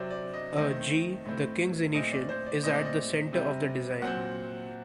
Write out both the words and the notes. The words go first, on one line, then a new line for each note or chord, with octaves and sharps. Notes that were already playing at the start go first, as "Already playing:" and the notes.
A "G", the King's initial, is at the centre of the design.
Already playing: C3 F#3 C4 D5
D5
D#5
D#3 A3 C4 D#5
A2 A3 C4
A#2 A3 C4 D#5
D5
C5
D5
A#2 A3 C4 D#5
D5
D#5
C3 G3 C4
A#2 F#3 C4 F#5